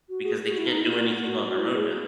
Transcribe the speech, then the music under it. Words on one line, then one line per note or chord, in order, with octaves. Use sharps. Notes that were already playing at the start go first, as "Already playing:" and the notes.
because they can't do anything on their own now.
F#4
G#4
G#4
F#4
E4
D#4
E4
F#4
E4
G#4
F#4